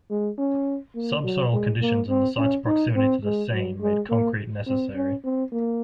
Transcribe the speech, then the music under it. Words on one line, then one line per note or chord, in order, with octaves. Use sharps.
Subsoil conditions and the site's proximity to the Seine made concrete necessary.
G#3
C#4
A#3
F#3
G#3
A#3
C4
C#4
D#4
C4
G#3
F#3
G#3
A#3
C4
C#4
C4
A#3